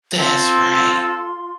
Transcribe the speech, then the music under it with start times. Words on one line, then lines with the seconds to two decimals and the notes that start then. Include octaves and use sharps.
That's right.
0.18 C4 F4 A4 C6